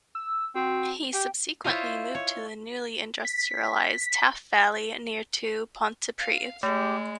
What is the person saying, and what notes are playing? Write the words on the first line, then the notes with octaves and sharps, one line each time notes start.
He subsequently moved to the newly industrialised Taff Valley near to Pontypridd.
E6
C4 F#4
G4 G5
E4 F4 C5 C#5 D#5 F5
C#5
B6
F5
G#3 A3 G4